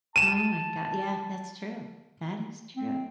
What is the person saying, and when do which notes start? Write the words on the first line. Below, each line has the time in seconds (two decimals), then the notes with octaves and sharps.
Oh my go yeah, that's true. That is true.
0.16 A5 D#7 E7
2.76 C4